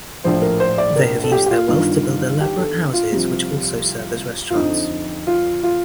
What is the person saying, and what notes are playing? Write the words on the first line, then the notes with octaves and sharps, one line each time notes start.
They have used their wealth to build elaborate houses which also serve as restaurants.
A#1 A2 F3 C5
A#4
C5
D5
A#4
A4
G4
G4
F4
G1 G2 D#3 F4
G4
A4
F4
C2 C3 F3
F4
F2 D3 F3 D#4
F4
F4